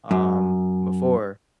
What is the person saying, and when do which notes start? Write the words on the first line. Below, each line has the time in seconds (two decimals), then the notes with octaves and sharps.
um, before,
0.11 F#2